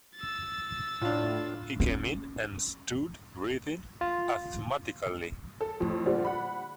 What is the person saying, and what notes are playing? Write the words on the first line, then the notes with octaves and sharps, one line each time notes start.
He came in and stood breathing asthmatically.
E6 A6
A2 D4 F4
C#4
F4
A4
F2 A2
A#2 D3 F3 G3
F#5 B5